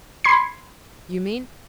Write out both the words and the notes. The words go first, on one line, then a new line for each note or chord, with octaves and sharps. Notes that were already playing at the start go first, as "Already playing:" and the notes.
"You mean?"
B5 C6 G#6 C7